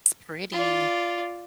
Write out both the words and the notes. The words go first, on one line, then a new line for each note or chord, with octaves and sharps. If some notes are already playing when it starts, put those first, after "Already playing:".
It's pretty.
F4 D5